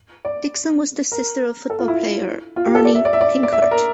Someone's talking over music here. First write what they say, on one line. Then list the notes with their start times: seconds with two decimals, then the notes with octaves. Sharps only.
Dixon was the sister of football player Erny Pinckert.
0.25 D5
1.12 A#4
1.70 A4
1.79 F4
1.88 E4
2.56 F4
2.66 G4
2.75 A4
2.85 D5
2.95 E5
3.05 D5
3.13 E5
3.21 D5
3.43 D5
3.53 E5
3.62 D5
3.71 A#4